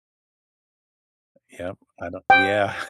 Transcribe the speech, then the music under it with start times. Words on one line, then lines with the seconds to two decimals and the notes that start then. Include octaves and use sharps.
Yep, I don't yeah.
2.30 G5